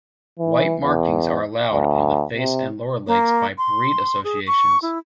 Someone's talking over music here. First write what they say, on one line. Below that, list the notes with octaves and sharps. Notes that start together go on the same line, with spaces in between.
White markings are allowed on the face and lower legs by breed associations.
E3
E2
D2
C3
A#3
C6
G#4
C#6
E4